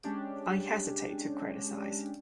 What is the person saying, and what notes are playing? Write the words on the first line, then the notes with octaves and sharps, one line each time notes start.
I hesitate to criticise.
G#3 C#4 D4 G4